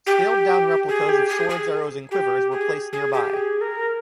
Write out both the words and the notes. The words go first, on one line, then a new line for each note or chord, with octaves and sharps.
Scaled-down replicas of swords, arrows and quivers were placed nearby.
G4
G#4
G4
G#4
G#4
G4
G#4
G#4
G4
G#4
A#4